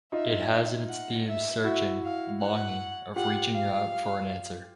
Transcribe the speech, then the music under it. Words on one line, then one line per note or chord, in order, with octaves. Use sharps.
It has in its theme searching, longing, of reaching out for an answer.
D#4 F4 E5
F#5
E5
E4 F#4 E5
F5
F#5
F4 G4 F#5
F5